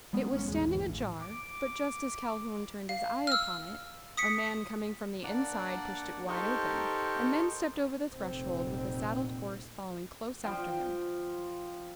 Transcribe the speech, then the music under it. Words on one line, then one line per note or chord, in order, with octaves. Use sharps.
It was standing ajar; but just as Calhoun turned his eye upon it, a man coming from the inside pushed it wide open; and then stepped over the threshold, with a saddled horse following close after him.
G3 G#3 B3 C#4
G#1 G#2 B2 C#4
A1 E2 G#2 G#3
G1 D#2 E3
A1
D6
F5
E6 F6
D#6 B6 C#7
A#3 D4 D5 F#5
D#4 G4 A4 A#4 C5 C#6
F1 A#2 C4 C5
F3 F5 G5